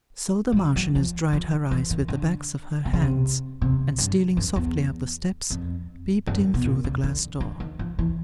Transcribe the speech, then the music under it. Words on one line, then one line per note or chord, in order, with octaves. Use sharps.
So the Marchioness dried her eyes with the backs of her hands, and, stealing softly up the steps, peeped in through the glass door.
G3
F#3
F#3
F3
F3
E3
D#3
D3
C3
C#3
C3
C3
G2
F#2
E2
F2
F#2
B2
A#2
C#3
D3
D3
D#3
F3
E3